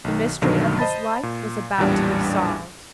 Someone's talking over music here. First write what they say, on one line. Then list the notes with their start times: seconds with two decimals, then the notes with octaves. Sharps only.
The mystery of his life was about to be solved.
0.04 B1 D#3
0.42 B1 G2 B2 D3 D#3 F#3
0.79 C5 D#5 A5 B5 A6
1.23 A#2
1.78 A1 E2 A#2 G3 D4